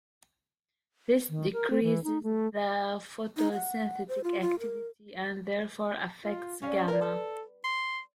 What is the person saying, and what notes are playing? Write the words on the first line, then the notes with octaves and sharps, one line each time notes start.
This decreases the photosynthetic activity and therefore affects gamma.
D#3
A#4
C4
E3
D#4
A3
D#4
F#5
C5
F4
F4
A#4
F4
F2 G3 C#4 F5
A#4 B4 D5
A4
C6